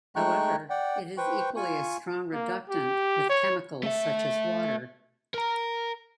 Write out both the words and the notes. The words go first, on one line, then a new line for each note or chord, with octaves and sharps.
However, it is equally a strong reductant with chemicals such as water.
G#3 A3 D#4 G5 C#6 F#6
D5 F#5 G5
B4 C5 G5 C#6
F4 G#5 C#6
A#3
G4
C#5
A3 E5
A#4 A#5